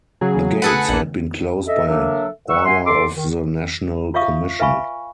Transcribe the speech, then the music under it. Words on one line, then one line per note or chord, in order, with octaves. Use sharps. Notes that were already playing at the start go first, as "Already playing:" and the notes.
The gates had been closed by order of the National Commission.
C#3 F#3 G#4
G#4 A4 B4 F#5 C#7
A#1 A#3 F#5
A4 D#5 E5
F#3 A#3 D4 A4 A#4 E5
G3 B4 F#5 C#6 E6
E5 F#5 G#5 C6
A4 C6 D6
D#3
F4 C#5 E5 F5 C#6 D#6
B4 E5 F5 G#5 B5 C#6